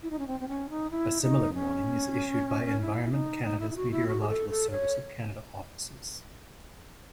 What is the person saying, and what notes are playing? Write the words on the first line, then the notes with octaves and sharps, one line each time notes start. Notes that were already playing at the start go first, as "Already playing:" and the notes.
A similar warning is issued by Environment Canada's Meteorological Service of Canada offices.
E4
D#4
C#4
C4
C4
C#4
D#4
E4
D#4
C#4
E4
E4
D#4
D#4
E4
E4
F#4
E4
F#4
G#4
A4
A4
C#5